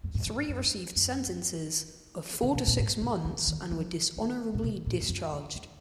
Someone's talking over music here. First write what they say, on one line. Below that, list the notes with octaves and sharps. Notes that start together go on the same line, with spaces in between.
Three received sentences of four to six months and were dishonorably discharged.
F#2
G#2
F#2
F#2
F#2
D3
B2
A#2
G#2
B2
D3
D#3
F3
D#3
A#2
B2
A#2
F#2
F2
D3